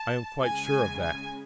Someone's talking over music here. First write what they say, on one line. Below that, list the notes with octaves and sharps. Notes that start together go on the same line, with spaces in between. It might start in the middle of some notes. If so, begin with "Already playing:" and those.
I am quite sure of that.
Already playing: A5
C#3 G#3 G#5
G#5